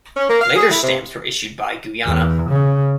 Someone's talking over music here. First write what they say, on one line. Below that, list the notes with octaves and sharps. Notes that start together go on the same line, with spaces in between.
Later stamps were issued by Guyana.
C#4
A#3
F5
G#4
E4
C3
E2
C#3